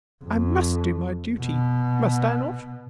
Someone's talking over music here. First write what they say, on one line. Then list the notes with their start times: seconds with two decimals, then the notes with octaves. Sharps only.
"I must do my duty, must I not?"
0.24 F2
1.40 B2